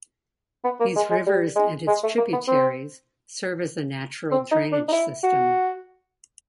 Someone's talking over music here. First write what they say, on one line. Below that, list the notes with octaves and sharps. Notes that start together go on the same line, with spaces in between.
These rivers and its tributaries serve as natural drainage system.
B3
A#3
G#3
G#3
G3
G#3
G#3
A3
A#3
B3
C4
C4
D#4
D4
D#4
E4
F#4